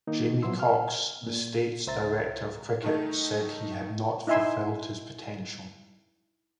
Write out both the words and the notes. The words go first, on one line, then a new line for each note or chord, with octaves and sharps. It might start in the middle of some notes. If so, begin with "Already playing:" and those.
Jamie Cox, the state's director of cricket, said he had not fulfilled his potential.
D#3 A#3 D#4
F3 F#3 B3 E4 C6 E6
F6
A#2
C#2 C5 E5 A#5 A6
D#3 A3 D#4
D#4 E4 E5 G#5 C6